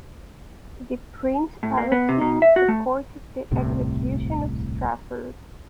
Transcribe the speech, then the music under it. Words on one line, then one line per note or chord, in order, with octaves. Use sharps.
The Prince Palatine supported the execution of Strafford.
A2
A#3
B3
C3
B2
E5
F#4
A3
D#1 C2 A2 C3